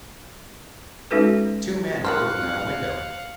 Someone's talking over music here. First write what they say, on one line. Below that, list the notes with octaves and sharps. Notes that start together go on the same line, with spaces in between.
Two men working on a window.
G#3 C#4 D#4 F#4 A4 B4
D#3 G#3 C5 F5 F#5 F6 F#6